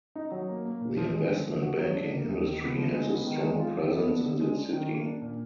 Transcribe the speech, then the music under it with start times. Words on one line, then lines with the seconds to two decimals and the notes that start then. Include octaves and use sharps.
The investment banking industry has a strong presence in the city.
0.15 D#4
0.32 F#3
0.49 A#3
0.65 A#3
0.81 A#2
0.97 F3
1.14 G#3
1.31 D3
1.47 F3
1.62 F#4
1.78 F#3
1.96 D4
2.12 A#3
2.28 D#2
2.44 D#3
2.61 B3
2.77 F3
2.93 G#3
3.10 B3
3.27 D#3
3.43 G#3
3.59 F4
3.75 F3
3.92 B3
4.09 D4
4.24 D3
4.41 G#3
4.57 D4
4.73 D#3
4.89 A#3
5.06 D4
5.22 A#2